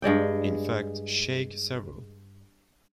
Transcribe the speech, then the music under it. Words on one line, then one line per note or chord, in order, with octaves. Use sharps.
In fact, shake several.
G2 G#3 D5 G5